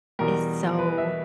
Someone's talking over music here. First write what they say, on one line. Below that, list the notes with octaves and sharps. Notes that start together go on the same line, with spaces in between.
is so
E2 B2 G3 A#4
B4
E5